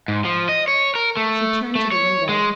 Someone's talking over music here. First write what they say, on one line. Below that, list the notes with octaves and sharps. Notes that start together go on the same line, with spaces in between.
She turned to the window.
G#2
F3
D#5
C#5
A#4
A3
A3
C#5
G#3